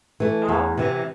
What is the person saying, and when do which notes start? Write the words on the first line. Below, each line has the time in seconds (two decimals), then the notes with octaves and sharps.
Oh, okay.
0.20 E3 A3
0.49 E2
0.78 C3 E3